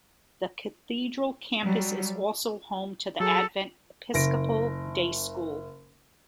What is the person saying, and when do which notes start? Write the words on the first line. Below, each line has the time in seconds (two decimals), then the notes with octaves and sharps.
The Cathedral campus is also home to the Advent Episcopal Day School.
1.64 F#3 G3
3.20 F#3 G#4 A4
4.14 F#1 A#6 D7